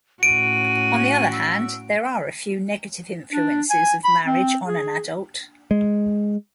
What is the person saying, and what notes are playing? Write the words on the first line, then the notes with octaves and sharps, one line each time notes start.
On the other hand, there a few negative influences of marriage on an adult.
A2 C#4 F#4 D7 D#7
E6
D4
G#5
B5
C4
G#4
G#3